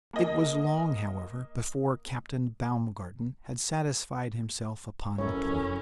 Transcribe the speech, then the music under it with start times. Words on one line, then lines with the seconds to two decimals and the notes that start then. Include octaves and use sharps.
It was long, however, before Captain Baumgarten had satisfied himself upon the point.
0.13 A#3 D#5
5.18 F1 F#2 C#4 E4 A4 A#4 C#5